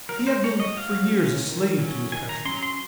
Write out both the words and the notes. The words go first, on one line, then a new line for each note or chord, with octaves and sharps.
He had been for years a slave to his passion.
F#3 A#4
C5
C#4 C#5
D#5
F#3 F5
C#4
D#3
F#3 C#4
D#3 G#5
A#5
F#3 C#4 C6
A#5
C6